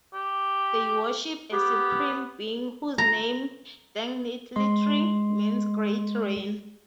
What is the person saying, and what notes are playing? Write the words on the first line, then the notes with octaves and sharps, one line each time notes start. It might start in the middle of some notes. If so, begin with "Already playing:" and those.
They worship a supreme being whose name, Dengdit, literally means Great Rain.
G4
B3 G4
A#5
G#3 D#5 C6